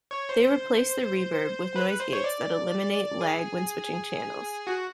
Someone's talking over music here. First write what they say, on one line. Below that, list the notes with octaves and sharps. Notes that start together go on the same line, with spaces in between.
They replaced the reverb with noise gates that eliminate lag when switching channels.
C#5
C5
B4
C5
C#5
D5
G#4
F#4